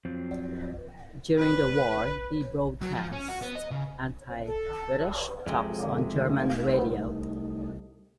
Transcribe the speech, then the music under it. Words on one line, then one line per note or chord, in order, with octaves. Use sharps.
During the war, he broadcast anti-British talks on German radio.
F2 F#3 C4 F4 C5
B4
F#3
F3
C#4
F#4
B3
D#5
C#3
A4
F2 C3 G#3
A3 D#4
C2